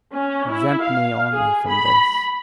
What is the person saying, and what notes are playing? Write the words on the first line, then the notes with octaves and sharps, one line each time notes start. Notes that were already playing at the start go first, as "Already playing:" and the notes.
Exempt me only from this!
C#4
E4
F5
G#4
B5